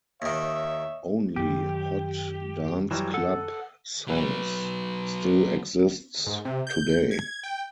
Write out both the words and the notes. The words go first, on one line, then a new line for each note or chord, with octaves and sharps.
Only "Hot Dance Club Songs" still exists today.
D#2 D#3 C#5 D#5 E5
F#2 D#3 G4
E3 F#3 G3
A4 F#5
F#3 B4
G#2
C3
G6
G#6
G5